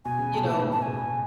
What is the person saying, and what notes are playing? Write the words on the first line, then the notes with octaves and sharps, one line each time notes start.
you know
B2 G#5
C#3
B2 A5
A2
G#2 A5
A2
A5
B2
C#3 G#5
B2